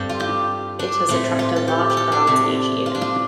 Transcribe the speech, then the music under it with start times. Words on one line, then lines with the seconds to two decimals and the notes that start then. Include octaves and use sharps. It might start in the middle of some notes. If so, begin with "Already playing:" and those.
It has attracted large crowds each year.
Already playing: G2 G3 C4 D4 A4
0.09 F4
0.20 G4
0.79 D4
1.08 A2 A3 C4
1.39 F4
1.56 A4
1.68 G4
1.90 G4
1.97 A4
2.12 D4
2.27 C3 A3
2.86 F4
2.95 D4
3.01 F4